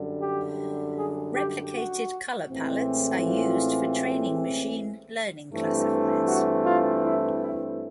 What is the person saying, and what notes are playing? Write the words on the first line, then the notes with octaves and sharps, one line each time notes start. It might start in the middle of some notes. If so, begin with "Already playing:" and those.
Replicated color palettes are used for training machine learning classifiers.
Already playing: F#2 D3 G3
G4
G#4
G4
F#4
A1 A2 E3 G#3 C4
F4
G2 E3 A3 C4
F#4
F4
E4
E4